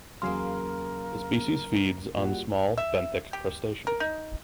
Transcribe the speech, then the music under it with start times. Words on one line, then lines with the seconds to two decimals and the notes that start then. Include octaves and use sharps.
The species feeds on small benthic crustaceans.
0.22 E2 C#3 F#3 A#3 G#4 A#4 F5 C6
2.17 A#2 G3 F#4
2.78 E5
3.33 G4
3.87 A#4
4.00 D#4